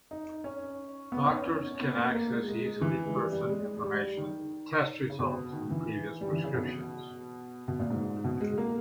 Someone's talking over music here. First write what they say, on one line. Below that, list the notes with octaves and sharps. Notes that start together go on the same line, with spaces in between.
Doctors can access easily person information, test results, and previous prescriptions.
D#4
C#4
B3
D#4
C#4
C#4
B3
A#3
A#3
G#3
G#3
G#3
E3
G#3
G3
G3
G#3
G#3
G3
D#3
C#3
B2
D#3
E3
G3
D#3
E3
C#3
B2
B2
A#2
G#2
B2
G#3
A#3